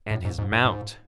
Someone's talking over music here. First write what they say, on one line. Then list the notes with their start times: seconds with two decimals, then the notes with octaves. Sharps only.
And his mount!
0.11 A2
0.25 G#2
0.38 G#2
0.52 G#2
0.65 G#2